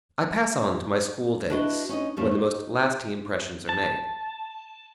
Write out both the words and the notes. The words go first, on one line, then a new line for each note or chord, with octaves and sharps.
I pass on to my school-days, when the most lasting impressions are made.
D4 E4 F#4 B4 C#5 D#5
C#4 D#4 D#5
F2 D#3 G3 A3 A#3 C#4
D#4
A5